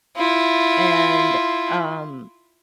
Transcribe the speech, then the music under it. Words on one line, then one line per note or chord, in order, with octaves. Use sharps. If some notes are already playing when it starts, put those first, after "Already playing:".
and, um
E4 F4